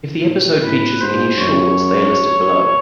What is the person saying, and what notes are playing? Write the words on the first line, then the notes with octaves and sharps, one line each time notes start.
If the episode features any shorts, they are listed below.
A#2
A2 B4
G#2 C5
F#2 C#5